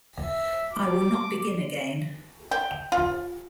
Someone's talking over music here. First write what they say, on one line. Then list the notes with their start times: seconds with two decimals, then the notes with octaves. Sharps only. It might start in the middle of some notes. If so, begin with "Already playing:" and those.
I will not begin again.
0.23 E5
0.73 D6
2.51 G5
2.92 F4